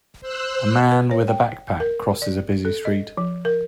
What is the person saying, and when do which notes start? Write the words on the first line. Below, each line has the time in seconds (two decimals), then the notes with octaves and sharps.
A man with a backpack crosses a busy street.
0.21 C5 E6 F#6
0.92 B4
1.11 C#5
1.28 G5
1.80 A#4
2.22 D5
2.65 A4
2.85 D#5
3.17 F3
3.45 A#4